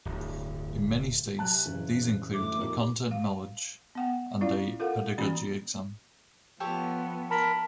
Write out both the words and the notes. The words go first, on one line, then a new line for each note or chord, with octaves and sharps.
In many states, these include a content knowledge and a pedagogy exam.
D1 G1
C3 F#3 G#5 A5 F#6
F#1 C#3 E3
A2 D3 E5 D6
F2 A#3 D#4 G4
F5
B3 F#5 G5
C#4 E4 F4 D5 F5
F4 A4 A#4 F5 F#5
E3 A#3 C#4 F#4 B5
F3 B3 G4 A4 C#5
A#4 A5 B5